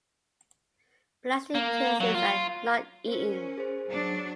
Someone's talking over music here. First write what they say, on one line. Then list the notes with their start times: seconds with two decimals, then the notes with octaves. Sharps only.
Plastic casings are not eaten.
1.55 A#3
2.00 F#3
2.14 F4
3.08 C#4 A#4 C5
3.58 G#4 C5
3.88 F#3 D4